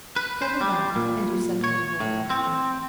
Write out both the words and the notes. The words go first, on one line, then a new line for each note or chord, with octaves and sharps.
Settle that, and you settle the whole question.
B4
C5
G3
A#2
C#5
A2
C4